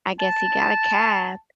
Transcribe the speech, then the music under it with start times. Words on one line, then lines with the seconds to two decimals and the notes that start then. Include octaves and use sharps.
I guess he got a cab
0.20 A5